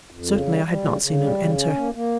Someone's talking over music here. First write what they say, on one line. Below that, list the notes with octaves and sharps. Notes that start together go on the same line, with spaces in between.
Certainly, I had not seen him enter.
F2
C#3
G3
G3
C#3
C#3
G3
C#3
C#4
A#3
A#3